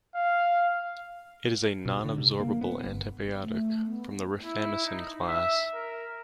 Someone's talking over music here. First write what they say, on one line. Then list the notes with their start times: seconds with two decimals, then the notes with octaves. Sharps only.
It is a nonabsorbable antibiotic from the rifamycin class.
0.15 F5
1.85 B2
2.04 D3
2.18 C3
2.40 A#3
2.61 B3
2.85 G1
3.42 A3
3.86 B3
4.43 E4
4.85 D#4
5.28 E5
5.74 A#4